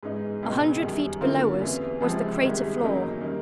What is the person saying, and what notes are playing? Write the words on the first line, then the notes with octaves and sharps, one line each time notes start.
A hundred feet below us was the crater floor.
G#2 E3 G#3 B3 D#4
C#2 B2 G#3
F#2 D#3 G3
D3 F#3 A#3 C#4 F4
E2 C3 E3
C#2 C3 F3 G#3
C2 C3 D#3 G#3
E2 C#3 F#3 A#3 D#4
D#3 G3 A#3